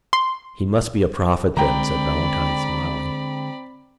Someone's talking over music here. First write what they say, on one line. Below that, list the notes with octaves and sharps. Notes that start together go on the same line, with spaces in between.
"He must be a prophet, then," said Valentine, smiling.
C6
D3 G#3 C4 D5 G5 A#5 B5